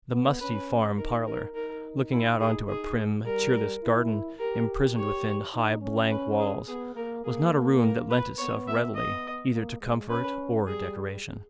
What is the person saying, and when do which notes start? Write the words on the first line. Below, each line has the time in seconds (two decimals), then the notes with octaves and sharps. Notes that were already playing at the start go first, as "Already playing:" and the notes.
The musty farm parlour, looking out on to a prim, cheerless garden imprisoned within high, blank walls, was not a room that lent itself readily either to comfort or decoration.
0.12 B3
0.41 C#4 B4
0.97 D#4 A#4
1.26 A#4
1.54 D#4 A#4
2.12 E4
2.40 G#4
2.69 G#4
3.25 G3 A#4
3.83 E4
4.39 G4 A#4
4.96 G4 C#5
5.54 D#4
5.82 C#4
6.11 B4
6.39 G#4
6.68 B3 G#4
6.95 A#3 A#4
7.24 A#3 G#4
7.81 A#4
8.10 B4
8.38 B3 C#5
8.68 E5
8.95 B3 D#5
9.52 A#3
9.81 G#3
10.09 C#4 B4
10.66 G3 G#4